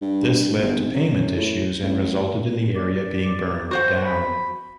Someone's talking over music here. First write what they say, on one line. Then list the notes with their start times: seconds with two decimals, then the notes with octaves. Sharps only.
This led to payment issues and resulted in the area being burned down.
0.02 G2
0.61 G1
0.78 G#1
0.94 F#2
1.37 A2
1.82 A1
2.76 D5
3.71 F#4 C5 F#5
4.05 B5